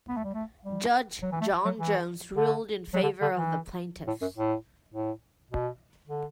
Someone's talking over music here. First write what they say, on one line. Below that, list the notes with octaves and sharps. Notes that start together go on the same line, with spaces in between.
Judge John Jones ruled in favor of the plaintiffs.
B3
A3
G3
A3
G3
F#3
E3
A3
F#3
E3
D3
F#3
D3
D3
E3
A2
F#2
A2
A2
B2
D3